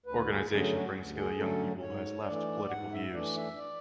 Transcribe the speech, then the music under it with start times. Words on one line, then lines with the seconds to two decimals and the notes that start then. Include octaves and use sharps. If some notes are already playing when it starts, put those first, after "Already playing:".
Organisation brings together young people who has left political views.
0.06 D2 B4
0.29 G#4
0.50 D3 F#3 A3 C#4 G#4
0.72 F#4
0.94 D2
1.16 G#4
1.37 D3 F#3 A3 C#4 A4
1.81 G#2 C#5
2.25 E3 A3 D4 D5
2.70 G#2 F#5
2.92 E5
3.13 E3 A3 D4 D5
3.36 E5
3.57 D5